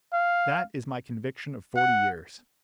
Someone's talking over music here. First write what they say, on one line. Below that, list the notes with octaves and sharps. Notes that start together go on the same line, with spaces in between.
That is my conviction of forty years.
F5
F#5